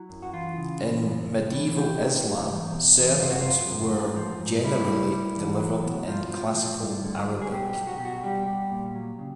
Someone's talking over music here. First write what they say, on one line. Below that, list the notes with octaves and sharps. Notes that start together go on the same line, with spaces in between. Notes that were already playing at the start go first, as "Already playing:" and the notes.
In medieval Islam, sermons were generally delivered in classical Arabic.
Already playing: F#3 E4
F#2
F#4
E3 F4
C#3
E3
F#2
C#3
E3
D#3 G4
D#3
F#3
E2
B2
E2
F#2 F4
F#4
F#2 F4
F#2
G#2
F3
G#2
G3 E4
G3
G3
E2
F#3
B2
F3 F4
F3
F3
G2
D3
G3
G#4
B2 G4
G4
F#3
F#4
B2 G4
F#4
G3 G4
G3
A#2
F#3
C#3